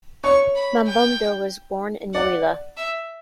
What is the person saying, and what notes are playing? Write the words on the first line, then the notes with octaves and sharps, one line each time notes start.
Mamboundou was born in Mouila.
C#5 C#6
B5
G5
D5 F#5
E5